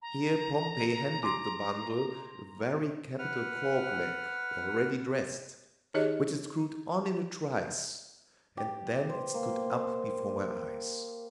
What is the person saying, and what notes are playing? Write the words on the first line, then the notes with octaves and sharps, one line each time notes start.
Here Pompey handed the bundle, a very capital cork leg, already dressed, which it screwed on in a trice; and then it stood up before my eyes.
A#5
C6 D6
B4 F#5 F6
D#3 D#4 G4 G#4 C#5 D#5
G4
C5
A#3